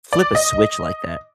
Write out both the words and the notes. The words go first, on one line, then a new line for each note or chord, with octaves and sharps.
flip a switch like that.
D5
D#5